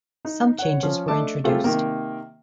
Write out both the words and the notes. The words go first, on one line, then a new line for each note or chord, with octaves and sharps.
Some changes were introduced.
D#4
C#5 F#5
F3 C#4
A3 D4 D#5 A5 D6
G3 A3 C4 F4 G4 G#4
C3 D#3 A#3